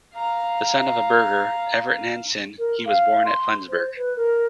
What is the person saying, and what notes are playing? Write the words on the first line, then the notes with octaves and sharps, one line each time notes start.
The son of a burgher, Evert Nansen, he was born at Flensburg.
F5 A#5
A#4
F5
C6
C5
B4
A#4